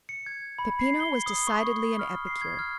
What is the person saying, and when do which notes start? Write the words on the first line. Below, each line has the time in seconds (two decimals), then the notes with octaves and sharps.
Peppino was decidedly an epicure.
0.09 C#7
0.26 G#6
0.59 B5
0.79 C7
1.00 G7
1.26 D#6
1.47 C#6
1.66 C#6
1.99 F6
2.27 C7
2.42 G#6
2.59 F6